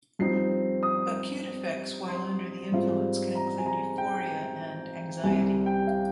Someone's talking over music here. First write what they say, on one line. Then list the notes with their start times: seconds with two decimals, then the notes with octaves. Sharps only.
Acute effects while under the influence can include euphoria and anxiety.
0.19 G2 F3 C4 D#4 C7
0.83 D#6
2.08 C6
2.72 G#2 G3 C4 F4
3.35 A#5
3.58 G#5
3.66 A#5
3.98 G5
5.23 C2 C3 G3 G#5
5.66 G5
5.87 F5